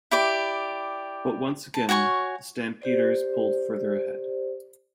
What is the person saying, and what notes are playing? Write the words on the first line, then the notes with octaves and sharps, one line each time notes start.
But once again the Stampeders pulled further ahead.
E4 G4 D5 D6
A5
F#4 C#5 G#5 C#6
G4 C5 D5